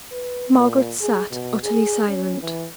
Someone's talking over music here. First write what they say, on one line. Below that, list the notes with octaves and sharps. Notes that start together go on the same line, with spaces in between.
Margaret sat utterly silent.
B4
A#2
G#4
B2
G#4
C#4
E3